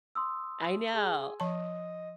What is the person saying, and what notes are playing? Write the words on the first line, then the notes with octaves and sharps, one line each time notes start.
I know
C6 D#6 E6
G#4
F3 D#5 A5